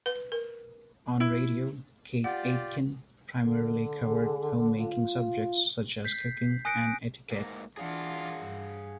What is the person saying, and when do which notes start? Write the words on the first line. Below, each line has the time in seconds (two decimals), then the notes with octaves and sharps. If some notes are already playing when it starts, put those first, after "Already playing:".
On radio, Kate Aitken primarily covered homemaking subjects such as cooking and etiquette.
0.06 B4
0.32 A#4
1.20 E4
2.24 F4 G4 D5 F#5
3.41 D3
4.09 G#4
4.79 F4
6.05 G6 B6 C7
6.65 G#5 D#6 F#6 A#6 C#7 D7
7.31 G#2 A#3
7.77 E3 D4 F4 G#4 F5 F#5
8.42 G2